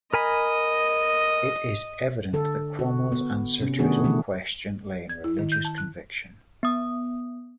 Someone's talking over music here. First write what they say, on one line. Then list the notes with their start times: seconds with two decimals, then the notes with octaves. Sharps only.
It is evident that Cromwell's answer to his own question lay in religious conviction.
0.14 A#4 D#5 G#5 B5
2.33 D3 A4
2.79 F#4
3.12 B3
3.60 C3 C#4
3.79 D#3 A3 B3 D4 F#4 G#4
4.04 B2 D3 E3 A3
5.09 G#6
5.24 E4
5.39 D#3
5.52 G6
5.65 A5
5.78 F#6
6.63 B3 D#6